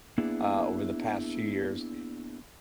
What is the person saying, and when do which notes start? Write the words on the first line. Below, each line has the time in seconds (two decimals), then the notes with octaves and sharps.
uh, over the past few years,
0.18 A#3 B3 D4 E4 G#4